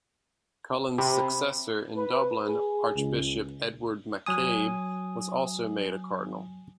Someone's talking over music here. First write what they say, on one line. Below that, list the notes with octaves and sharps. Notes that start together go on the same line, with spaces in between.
Cullen's successor in Dublin, Archbishop Edward MacCabe was also made a cardinal.
C3 B5
B4
G#4
C#2
F#3 G#5 D#6